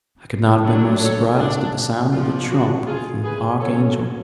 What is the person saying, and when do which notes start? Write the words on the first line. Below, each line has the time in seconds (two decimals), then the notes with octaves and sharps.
I could not have been more surprised at the sound of the trump of the Archangel.
0.64 F#3 A3 D4
1.01 A4 C#5
1.38 D4
2.12 F3 B3 D4 F4
2.49 D4 F#4
2.86 F4 G#4
3.24 G#4 B4
3.60 F#3 C#4 A4 C#5